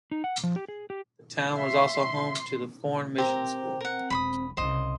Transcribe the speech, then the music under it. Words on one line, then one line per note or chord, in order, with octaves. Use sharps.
The town was also home to the Foreign Mission School.
D#4
F#5
F3
G4
G#4
G4
E5 C6
C4 G4 A#4 A#5
A#4 F#5
E1 B5 C6 D#6
C2 C#3 C5 D#5